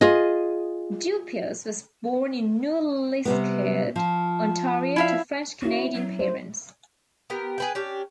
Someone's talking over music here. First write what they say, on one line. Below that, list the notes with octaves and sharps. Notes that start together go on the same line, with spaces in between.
Dupuis was born in New Liskeard, Ontario to French-Canadian parents.
F4 G#4 D#5
C3 G3 B3
F3
E4 E5 F5
C#4 E4 F#4
F#3
C5
B3 G4 A#4
G#4 B4 G5
C#4 D4 G4